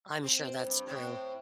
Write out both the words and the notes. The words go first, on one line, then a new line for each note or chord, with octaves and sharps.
I'm sure that's true.
C4
G2
A2 C4